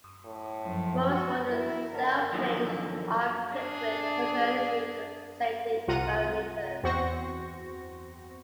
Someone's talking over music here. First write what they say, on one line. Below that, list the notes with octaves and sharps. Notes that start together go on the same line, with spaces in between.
Most modern sailplanes are equipped with "Total Energy compensated" variometers.
A2
F#2 F3
F#4
E4 A#4
D3 A#4
D3 D#3 F3 F#3 A#3
D4 G#4
C2 C3 F4 F#5 A#5 D#7
E2 C4 F#4 C5 C#6 A#6